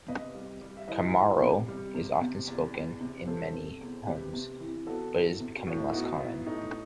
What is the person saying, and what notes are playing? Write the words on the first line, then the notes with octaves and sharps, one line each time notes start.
Chamorro is often spoken in many homes, but is becoming less common.
C3 B4 D#5
G3
G3
E5
E3 B4 D#5
E3
C3
G3
C3
C3
E2
E2
C3
B4
C3 A4 C5
C3
E2
C3 G4 B4
C3
E3
B3 F#4 A4
E3
C3
F#4
A2 E4
B3 D#4 F#4
B3 E4
A2 D#4